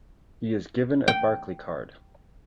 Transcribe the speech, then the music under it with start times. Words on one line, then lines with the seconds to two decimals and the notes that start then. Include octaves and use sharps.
He is given a Barclaycard.
1.08 G5